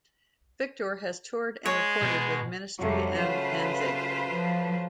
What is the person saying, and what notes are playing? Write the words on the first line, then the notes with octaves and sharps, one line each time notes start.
Victor has toured and recorded with Ministry, and Danzig.
G#3 C#5
B2
F2 C3 F#3 G3 A3
C#3 F4 B4 C5
F3